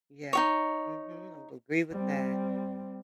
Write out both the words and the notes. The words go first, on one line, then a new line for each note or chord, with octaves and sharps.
Yeah. Mhm, I would agree with that.
D#4 F#4 C#5
G3 C4